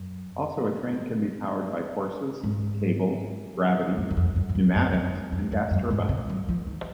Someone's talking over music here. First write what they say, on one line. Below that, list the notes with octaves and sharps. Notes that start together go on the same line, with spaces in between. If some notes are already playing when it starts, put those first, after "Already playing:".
Also, a train can be powered by horses, cables, gravity, pneumatics and gas turbines.
Already playing: F#2
G#2
F2
F#2
F#2
F2
F#2
F#2
F2
F#2
F2
F#2
F2
F#2
F#2
G#2
C#3
F#3
F3
D#3